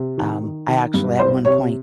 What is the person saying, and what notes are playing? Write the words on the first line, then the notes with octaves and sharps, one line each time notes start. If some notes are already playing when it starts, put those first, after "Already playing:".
um, I actually at one point,
Already playing: C3
D#3
D#3
D#3
G2
C2 C5
C3 C#5